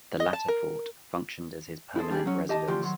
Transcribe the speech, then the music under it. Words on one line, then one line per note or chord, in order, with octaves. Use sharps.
The latter fort functioned as his permanent residence.
D#5
A5
A#4
E4 G#4 A4 C5
G3 D4 F4 G4 G#4
F#3 C#4
G4 D#5 A5
D2 E3 F3 D4 G4 C6
D#3 F#3 C6